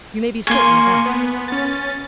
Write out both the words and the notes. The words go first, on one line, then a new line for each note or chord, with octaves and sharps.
You may be certain of that.
A#3 G#5 C6 C#6
B3
C#4 A6